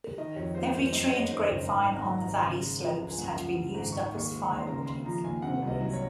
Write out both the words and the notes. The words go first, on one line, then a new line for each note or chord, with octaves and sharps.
Every tree and grapevine on the valley slopes had been used up as firewood.
D#3 D#5
F2 C#5
G#3 C5
F2 C5
F#2 D#5
D#5
G#3 C#5
D#3 C5
F#1 C#5
G#2 D#5
G#1
A#5
F#3
A#5
G#1
C#3
G#3
F3
C#2
G#5
F#2 F#5
F3 F#5
C#3
G#1 A#5
D#3 C#6
D#2
C#6
G#3
C#6
D#2
C6
C#3 A#5
D#2 C6
F3 A#5
D#2 G#5
C3 F#5
C2
D#5
F#3
C#5